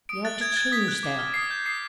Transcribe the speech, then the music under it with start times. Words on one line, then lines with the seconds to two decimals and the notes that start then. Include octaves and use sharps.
You have to change there.
0.09 D#6 D7
0.25 F#6 A6
0.41 D#6 G#6
0.57 F#6 A6
0.72 D#6 B6
0.88 F#6
1.03 D6
1.19 F6
1.34 D#6 C7
1.51 G6
1.66 D#6 C7